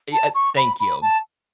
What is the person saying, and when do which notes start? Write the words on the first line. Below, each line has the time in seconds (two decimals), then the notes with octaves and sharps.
eh, uh, thank you.
0.12 A5
0.34 C#6
0.57 B5
0.79 B5
1.02 A5